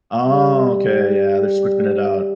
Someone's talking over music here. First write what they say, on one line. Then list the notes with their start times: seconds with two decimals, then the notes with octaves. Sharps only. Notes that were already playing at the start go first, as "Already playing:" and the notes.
Okay, yeah, they're switching it out.
0.23 G3